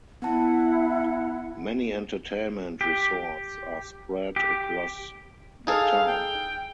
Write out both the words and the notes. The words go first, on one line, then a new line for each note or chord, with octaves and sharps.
Many entertainment resorts are spread across the town.
B3 E4 F#5 A5
G4
G4
D#4 G#4 A4 F5
G5